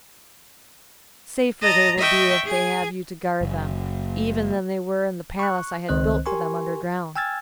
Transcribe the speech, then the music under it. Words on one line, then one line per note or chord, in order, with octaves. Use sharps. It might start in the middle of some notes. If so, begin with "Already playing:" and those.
Safer they will be if they have you to guard them, even than they were in the palace I had built for them underground.
D#5 A5 A#5 A#6
D#5 E5 G5 C#6
G#4 G#5
F#1
C#6 F#6
C#2 D#3 C4 C5 D#5 F#6
G4 A#4 G#5 C6 C#6
G5 G#5 E6 F6 G#6 A6